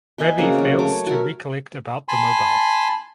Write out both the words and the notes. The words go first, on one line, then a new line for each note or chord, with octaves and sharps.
Ravi fails to recollect about the mobile.
B4 D#5 E5 G#5
C#3 A#3 C4 F#4
F#3
A3 C#5 D6
F#4 A#4 E5
G#5 A5 B5 C6